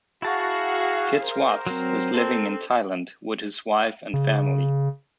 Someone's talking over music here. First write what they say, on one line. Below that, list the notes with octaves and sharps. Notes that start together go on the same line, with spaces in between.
Kit Swartz is living in Thailand with his wife and family.
E4 F#4 G#4 F5 A5
A#4 C5
F#3 C4
C4 A4
C#3